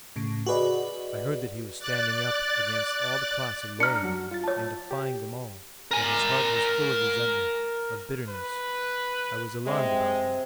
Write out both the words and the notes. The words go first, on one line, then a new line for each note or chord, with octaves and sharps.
I heard that he was standing up against all the class alone and defying them all, that his heart was full of resentment, of bitterness--I was alarmed about him.
A2 C#3
F#4 G#4 B4 D5 D#5
D5 F#6 A6
D4 A#5 F6 C#7
F#2 F#3 F#4
F4 A6
C#5 A5
G4
A#4 G#5
B4
C3 G#3